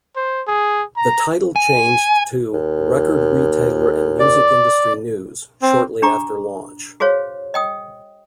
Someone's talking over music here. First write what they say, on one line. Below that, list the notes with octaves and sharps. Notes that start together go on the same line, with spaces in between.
The title changed to "Record Retailer and Music Industry News" shortly after launch.
C5
G#4
A#5
G#5
D#2
D5
C4
D4 G4 A#5 D6
F#4 G#4 C5 C#5 F5
D#5 G5 D#6